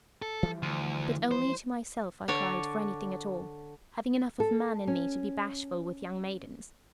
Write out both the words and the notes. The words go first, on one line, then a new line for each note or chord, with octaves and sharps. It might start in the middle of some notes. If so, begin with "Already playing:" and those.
But only to myself I cried for anything at all, having enough of man in me to be bashful with young maidens.
A4
E3 F3 G3
D2
C5
D3 D4 C#5
A4
C#4